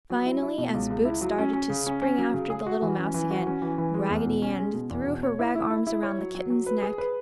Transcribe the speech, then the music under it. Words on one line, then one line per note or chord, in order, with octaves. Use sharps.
Finally as Boots started to spring after the little mouse again, Raggedy Ann threw her rag arms around the kitten's neck.
F#3
E4
E4
B2
C#2
C#2
E4
F#3
C#4
C#4
C#3
C#4
C#4
F#3
C#3
G#4
F#4
E3
C#4
E3
F#4
C#4
E3
E3
G#3
E2
B2
C#4
G#3
B2
E2
B2
C#5
E4
E4
E4
E4
C#5
F#3
F#3
F#3
B4
G#4
B4